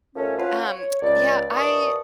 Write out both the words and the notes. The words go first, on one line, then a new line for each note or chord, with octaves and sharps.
I Um, yeah, I
D#2 F3 A3 C#4
C#4 F4 F#4 B4
C#5
C#2 D5
D#2 E3 D4 D5 C#6 D#6